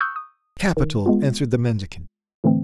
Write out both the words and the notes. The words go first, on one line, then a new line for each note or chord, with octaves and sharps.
"Capital," answered the mendicant.
C#6 D#6 E6 F#6 G6
D#6
D#3
G#3 B3 F4
A2 D3 E3 A3 C4